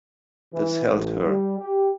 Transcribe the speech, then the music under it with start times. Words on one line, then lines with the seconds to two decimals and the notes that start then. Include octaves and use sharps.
This held her.
0.54 E3
0.94 A1
1.26 G3
1.60 G4